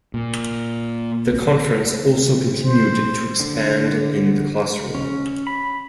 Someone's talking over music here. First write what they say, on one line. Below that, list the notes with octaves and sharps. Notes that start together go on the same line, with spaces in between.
The conference also continued to expand in the classroom.
A#2
C5
D3
C#4
B5